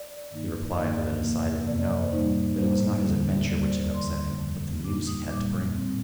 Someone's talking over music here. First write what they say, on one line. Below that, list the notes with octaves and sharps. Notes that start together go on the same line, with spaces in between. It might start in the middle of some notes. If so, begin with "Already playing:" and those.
He replied with a decided no; that it was not his adventure which had upset him, but the news he had to bring.
Already playing: D5
G2 D#3 A#3 D#4
D#5
G2 D#3 A#3 D#4 D5
F2 C3 F3 A#3
F2 C3 F3 A#3 D5
D#5
D5
C5
A2 G3 A#3 D#4
A2 G3 A#3 D#4 C5
D#2 D3 G3 A#3
D#2 D3 G3 A#3 D5
C5
D5
F2 D3 F3 C6
F2 D3 F3
A#2 G3 A#3 D#4 D6
D#6
A#2 G3 A#3 D#4 D6
A2 G3 C4